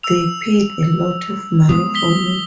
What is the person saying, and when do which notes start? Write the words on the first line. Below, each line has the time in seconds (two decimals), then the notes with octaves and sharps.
They paid a lot of money for me.
0.03 E6 F7
1.69 F3 G#3 B3 D#6
1.94 D#6 B6 G7